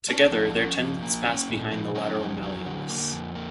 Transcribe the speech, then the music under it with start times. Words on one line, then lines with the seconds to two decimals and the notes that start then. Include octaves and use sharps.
Together, their tendons pass behind the lateral malleolus.
0.09 C#4 D4
0.31 F3
0.55 C#4
0.78 F3
1.02 A#3
1.25 C#4
1.49 A#2
1.72 F3
1.95 F#3 C#4 D#4
2.19 F2
2.43 F#3
2.65 D3
2.89 A#3
3.13 F2
3.35 A#3